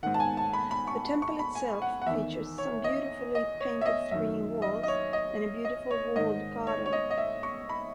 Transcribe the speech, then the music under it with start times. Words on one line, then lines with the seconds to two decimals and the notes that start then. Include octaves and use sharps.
The temple itself features some beautifully painted screen walls, and a beautiful walled garden.
0.03 G#2 D#3 F#5
0.14 A5
0.20 G#5
0.37 A5
0.53 B5
0.71 B5
0.87 C#6
1.22 C#6
1.39 B5
1.55 G#5
1.82 F#5
2.02 F#5
2.06 E2 D#3 E5
2.58 C#5
2.84 D#5
3.35 D#5
3.60 C#5
3.81 E5
3.86 D#5
4.11 F#2 D#3 E5
4.62 D#5
4.83 D#5
4.88 C#5
5.13 D#5
5.65 D#5
5.91 C#5
6.16 G#2 D#3 D#5
6.67 C#5
6.86 C#5
6.93 D#5
7.11 D#5
7.18 E5
7.43 C#6
7.69 B5